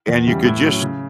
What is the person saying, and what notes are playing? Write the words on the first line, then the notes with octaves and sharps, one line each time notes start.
and you could just
E2
C#3 E3 G3
A2
F#3 C#4
C#3